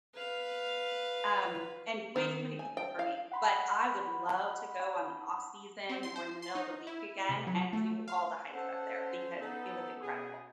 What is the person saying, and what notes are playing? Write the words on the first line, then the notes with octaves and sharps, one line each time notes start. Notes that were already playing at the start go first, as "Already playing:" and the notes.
um, and way too many people for me, but I would love to go on the off-season or in the middle of the week again and do all the hikes up there because it was incredible.
B4 F5
D#3
G#5
G5
F5
F#5 B5 C6
C4
C6
C5
C6
D#4
E4
C3
F#3
A3
F5
C#4 A4 C5 F#5
B3 D#4 A4
B2 C#4 G#4